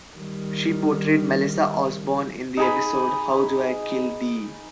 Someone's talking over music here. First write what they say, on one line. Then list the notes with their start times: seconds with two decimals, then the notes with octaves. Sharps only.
She portrayed Melissa Osborne in the episode How Do I Kill Thee?
0.17 D#3 G3
2.57 D#4 G#4 B5